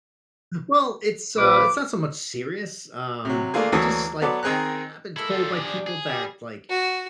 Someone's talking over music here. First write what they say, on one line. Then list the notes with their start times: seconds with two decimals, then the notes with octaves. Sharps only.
Well, it's, uh, it's not so much serious. Um, I just, like, I I've been told by people that, like,
1.37 A#1 F3 B4 D6
3.25 C3 F#3
3.54 A3 A#3 D4 F4 G#4
3.72 D2 E3 F#3 A#3 A4 D#6
4.21 F#3 B3 A4 D5
4.43 D#3 C4 G#4 A#4 A#5 F#6
5.16 G#3 A#3 E4 A4
5.30 G3 F4
5.52 F3 G3 D4 G#4
5.87 G#4
6.06 G3
6.69 F#4